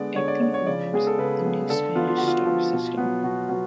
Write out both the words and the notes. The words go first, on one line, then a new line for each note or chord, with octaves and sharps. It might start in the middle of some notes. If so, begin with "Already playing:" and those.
It conforms the new Spanish star-system.
Already playing: D3 G#3 B3 D5
D3 C#5
D5
G#3 B3 D5
C#5
C#3 D5
G#3 B3 G#4
A4
C#3 B4
G#3 B3
D3 A4
F3 B3 F4
F4
D3 F#4
F4
F3 B3
B2
F#3 B3
B2 F#4
F#3 B3